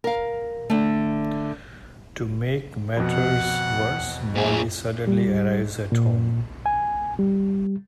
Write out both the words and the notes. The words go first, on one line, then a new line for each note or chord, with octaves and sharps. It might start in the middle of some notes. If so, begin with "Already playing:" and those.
To make matters worse, Molly suddenly arrives at home.
A#4 F5
D3 A3
F2 B2 F#5
A#2 G#4
G3
A#2
G#5
G3